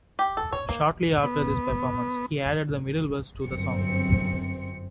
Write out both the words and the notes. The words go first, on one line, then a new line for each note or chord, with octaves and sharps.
Shortly after this performance, he added the middle verse to the song.
G4
A4
C#5
A#3
B3
G1 F#2 C4 C#7